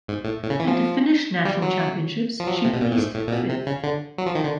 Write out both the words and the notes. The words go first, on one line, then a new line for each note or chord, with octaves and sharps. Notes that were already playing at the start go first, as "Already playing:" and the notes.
At the Finnish national championships she placed fifth.
G#2
A2
A2
C#3
E3
F3
G3
F#3
F3
F#3
F3
C3
B2
A#2
A2
G#2
A2
A#2
B2
C3
C#3
D3
F#3
F3
D#3
D3